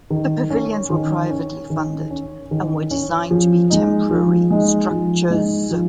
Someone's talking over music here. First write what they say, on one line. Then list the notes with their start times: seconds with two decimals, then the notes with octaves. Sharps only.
The pavilions were privately funded and were designed to be temporary structures.
0.10 D#3
0.50 C#4
0.90 D#3
1.30 C#4
1.70 D#3
2.10 C#4
2.51 D#3
2.91 C#4
3.31 F3
3.70 G#3 D#4
4.11 F3
4.51 G#3 D#4
4.91 F3
5.30 G#3 D#4
5.71 F3